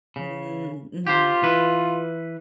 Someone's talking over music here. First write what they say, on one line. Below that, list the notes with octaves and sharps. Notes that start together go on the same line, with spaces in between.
Mm, mhm.
C#3
F4 G4 C5
E3 B4